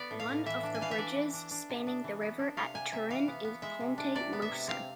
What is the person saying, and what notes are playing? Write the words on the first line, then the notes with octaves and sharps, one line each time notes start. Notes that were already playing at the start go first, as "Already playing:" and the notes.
One of the bridges spanning the river at Turin is Ponte Mosca.
Already playing: B3 D5
A2
F5
A2
E3 E5
D4
G#5
E3 F5
E5
D4 D5
E3
D4
D4
C3
D4
E3
B3
D4
C3 F5
C3 G#5
C3 E5
E3 F5
B3
B3
G#3 E5
C3
D4
C3 D5
B3
E5
C3
C4 F5